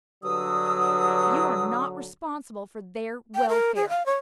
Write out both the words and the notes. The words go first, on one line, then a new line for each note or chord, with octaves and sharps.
You are not responsible for their welfare.
G2 D3 F#3 D#6 E6
G5
A#4
G#4
F5
C#5